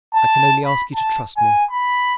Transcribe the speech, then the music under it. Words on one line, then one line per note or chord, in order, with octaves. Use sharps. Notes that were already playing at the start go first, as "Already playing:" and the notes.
I can only ask you to trust me.
A5
B5
A5
G#5
B5